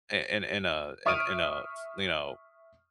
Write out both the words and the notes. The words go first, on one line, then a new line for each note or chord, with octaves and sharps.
i in in a in in a, you know,
E5 C#6 D#6 F6 D7 D#7